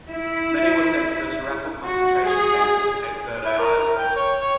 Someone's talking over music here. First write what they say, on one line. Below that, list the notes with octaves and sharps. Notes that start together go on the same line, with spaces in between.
Many were sent to the Tarrafal concentration camp in the Cape Verde Islands.
E4
F#4
G#4
E4
A#4
A#4
G5
C#5
C#5